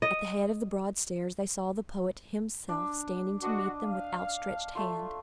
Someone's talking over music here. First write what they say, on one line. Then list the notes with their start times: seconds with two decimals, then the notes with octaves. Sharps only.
At the head of the broad stairs they saw the poet himself standing to meet them with outstretched hand.
0.02 D#5
2.69 D4
3.42 D4 F#4 D#5 D6
3.84 F5
4.75 A3 F4